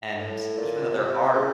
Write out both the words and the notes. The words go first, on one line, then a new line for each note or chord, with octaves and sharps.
and even though there are
A2
A#2
C3
C#3